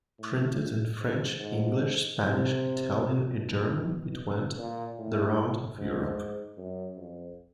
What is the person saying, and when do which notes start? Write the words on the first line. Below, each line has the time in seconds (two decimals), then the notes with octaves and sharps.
Printed in French, English, Spanish, Italian and German, it went the round of Europe.
0.19 A2
1.00 G#2
1.40 G#2
2.19 C3
3.39 B2
3.78 B2
4.58 A#2
4.98 A2
5.78 G#2
6.58 F#2
6.97 F2